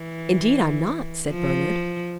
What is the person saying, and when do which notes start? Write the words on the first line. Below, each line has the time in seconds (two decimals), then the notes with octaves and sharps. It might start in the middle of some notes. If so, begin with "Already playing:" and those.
"Indeed I'm not," said Bernard.
Already playing: E3
1.31 F3